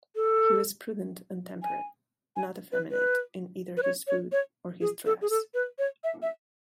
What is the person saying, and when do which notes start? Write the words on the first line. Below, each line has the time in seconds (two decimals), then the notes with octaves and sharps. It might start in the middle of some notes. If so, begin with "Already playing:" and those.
He was prudent and temperate, not effeminate in either his food or his dress.
0.16 A4
1.63 G#5
2.36 G#5
2.72 B4
2.91 B4
3.77 B4
3.83 C#5
4.07 C#5
4.32 C#5
4.81 G#4
5.06 A4
5.22 G#4
5.30 A4
5.54 B4
5.79 C#5
6.04 E5
6.22 E5